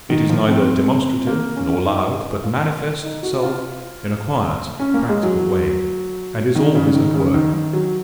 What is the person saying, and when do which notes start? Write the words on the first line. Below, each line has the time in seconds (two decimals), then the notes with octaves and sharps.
It is neither demonstrative nor loud, but manifests itself in a quiet, practical way, and is always at work.
0.10 D#3
0.29 F3
0.48 C4
1.27 A#3
1.56 C#4
1.85 D#4
2.44 F4
3.03 D#4
3.23 F#4
3.43 F4
4.80 C#4
4.94 A#3
5.09 G#3
5.23 F#3
6.55 D#3
6.75 C#3
6.95 D#3
7.14 C#3
7.34 D#3
7.54 D#3
7.73 F#3